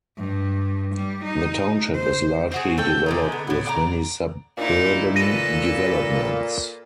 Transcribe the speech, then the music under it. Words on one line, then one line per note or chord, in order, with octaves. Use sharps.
The township is largely developed with many suburban developments.
G2
G3
D#4
C5
C4 F#4 G#4
A3 A4 G5
D3 G#3 D#4
B3
A2 B3
D5 F#5 A#5
A#2 D#4 E4
A4 B4 A#6 D#7